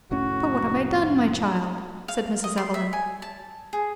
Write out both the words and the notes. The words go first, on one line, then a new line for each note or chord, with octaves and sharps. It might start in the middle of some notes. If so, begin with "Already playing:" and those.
"But what have I done, my child?" said Mrs. Evelyn.
F1 A2 C#4 F#4
F5
D#5
C6
E5
G#5
A5
G#4